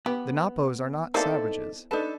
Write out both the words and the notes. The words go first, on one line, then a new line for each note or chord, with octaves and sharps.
The Napos are not savages.
B3 G4
E3 A#3 C4 D#4 A4 D5 E5 A5
D4 D#4 A4 B4 A5